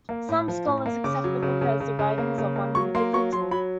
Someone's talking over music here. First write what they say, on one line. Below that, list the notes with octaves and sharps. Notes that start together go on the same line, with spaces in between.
Some scholars accept the book as the writings of one individual.
A#3
A2
F3
A2
A#3
C#3 D6
F#3
C#3
C#3
C#3
C#3
A#3
C#3
A#3
F#3 C#6
A#3 C6
F#3 C#6
F#3 C6
F#3 B5